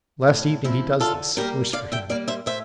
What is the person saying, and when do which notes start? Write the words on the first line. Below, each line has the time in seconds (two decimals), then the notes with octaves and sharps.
Last evening he does this. Worse for him!
0.28 A2
0.64 F3 C4 E4
1.00 D3 F4 A4
1.37 G3 A#3 G4 A#4
1.73 D3 D5 F5
1.92 E5 G5
2.10 G3 A#3 D5 F5
2.28 C5 E5
2.46 A2 C5 E5